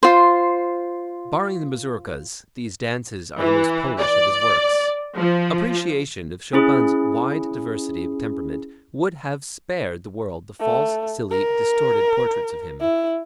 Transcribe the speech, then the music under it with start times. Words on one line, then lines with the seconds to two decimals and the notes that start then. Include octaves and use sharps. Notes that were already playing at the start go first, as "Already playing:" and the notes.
Barring the mazurkas, these dances are the most Polish of his works. Appreciation of Chopin's wide diversity of temperament would have sparedthe world the false, silly, distorted portraits of him.
0.03 F4 C5
3.38 E3
3.99 D5
5.17 F3
6.53 C#4 E4 G#4
10.60 A3
11.31 A#4
12.80 E4